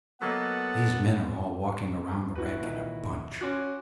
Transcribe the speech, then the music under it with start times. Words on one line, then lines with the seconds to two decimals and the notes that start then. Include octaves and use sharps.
These men are all walking around the wreck in a bunch.
0.22 F#3 A#3 B3 A4 D#5 F#5
2.35 E4 F#4 B4
2.61 A#2 D#3 E3
3.41 C#4 F#4 C6 D6 F#6